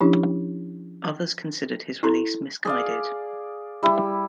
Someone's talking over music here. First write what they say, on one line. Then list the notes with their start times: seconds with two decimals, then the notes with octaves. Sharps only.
Others considered his release misguided.
0.01 F3 C#4 D4 E4 G4
2.03 E4 A4 A#5 C6
2.65 G#4 D5 F5
3.83 G3 E4